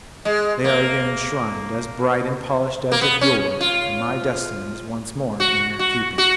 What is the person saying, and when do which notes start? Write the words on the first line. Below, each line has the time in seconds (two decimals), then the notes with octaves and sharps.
They are again enshrined, as bright and polished as of yore, and my destiny is once more in their keeping.
0.25 G#3
0.64 A#3
2.92 A#3
3.01 B3
3.21 C#4
3.61 F4
5.40 F#4
5.79 F#4
6.18 F#4